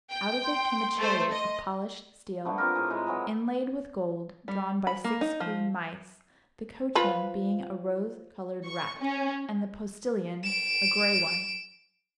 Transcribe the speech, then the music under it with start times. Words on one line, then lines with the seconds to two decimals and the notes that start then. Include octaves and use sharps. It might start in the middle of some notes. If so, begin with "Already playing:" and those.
Out of it came a chariot of polished steel, inlaid with gold, drawn by six green mice, the coachman being a rose-coloured rat, and the postilion a grey one.
0.11 G5
0.43 C6
0.98 A3 C5
1.32 D#5
2.45 D3 A3 B3
2.58 C4 F4 G4 A#4
2.75 A2 G#4
2.90 G#3 D#4 E4
3.07 E3 F#3 A#4
4.48 G3
4.87 B5
5.04 A#3
5.21 D#4
5.40 F3
6.95 F3 F4 B4
8.65 C#6
9.00 C#4
10.44 D7 E7